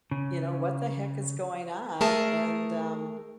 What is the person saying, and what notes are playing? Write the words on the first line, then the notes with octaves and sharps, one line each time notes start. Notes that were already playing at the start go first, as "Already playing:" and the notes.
you know, what the heck is going on and, um,
C#3
A3 G#4 A#4 A5